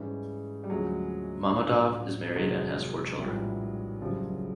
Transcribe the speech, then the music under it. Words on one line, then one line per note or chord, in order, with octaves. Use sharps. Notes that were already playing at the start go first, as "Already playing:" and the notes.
Mammadov is married and has four children.
Already playing: G#2 E3 G3 G#3 C#4
G3
D2 D3 F3 F#3 G#3 A3 C#4
A2 F3 A#3 D4
F1 D#2 D#3 F#3 G#3
A#1 A2 E3 G3
F#1 F#2 C#3 F3 G3